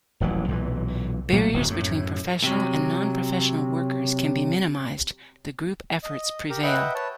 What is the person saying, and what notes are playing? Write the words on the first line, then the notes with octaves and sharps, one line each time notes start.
Barriers between professional and non-professional workers can be minimised, the group efforts prevail.
D#1 A1 E3 F#3
B1 A#2 E3
A#2 F#3 A#3
D1 B1 E2 C3
F#2 A2
C3 F#3
D#5
G4 A#4
B4 D#5 E5 F#5 G5
B4 C#5 A5